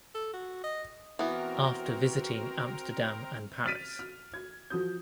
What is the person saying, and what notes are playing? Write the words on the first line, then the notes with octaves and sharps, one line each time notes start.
After visiting Amsterdam and Paris.
A4
F#4
D#5
E3 B3 C4 F#4 A#4
F6 A6 B6 D7 D#7
F6
G#6
F3 F#4 D#6 G6